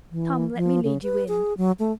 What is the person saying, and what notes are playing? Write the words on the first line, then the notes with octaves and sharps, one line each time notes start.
Come, let me lead you in.
E3
F3
C#3
B4
G#4
F#3
A3